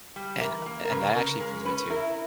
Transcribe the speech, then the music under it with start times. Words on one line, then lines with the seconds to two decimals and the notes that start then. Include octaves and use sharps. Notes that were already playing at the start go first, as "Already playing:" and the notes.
and and that actually brings me to
0.16 G3
0.41 E3 A#4
0.66 A#3
0.85 A#4
0.90 C#3 B4
1.15 C#3 A#4
1.40 G#3 A#4
1.65 C#4 B4
1.90 E4 A#4